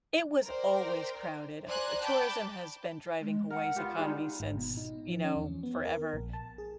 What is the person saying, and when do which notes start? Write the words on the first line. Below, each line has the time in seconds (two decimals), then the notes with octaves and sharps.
it was always crowded, h tourism has been driving Hawaii's economy since, you know, forever.
0.44 A#4 C5 D5 G5
1.67 C5 D5 G#5 A#5 F#6
2.02 G5 A5 B5 D6 G6
3.21 G#3
3.50 A#4 F#5
3.76 B3 F4 G4
3.98 G3 G#3 D#4
4.40 G#1
4.58 B2
4.77 D#4
5.07 F3
5.24 C#4
5.36 E2
5.63 B3
5.85 A#4
6.14 A#1
6.33 A5
6.58 G#4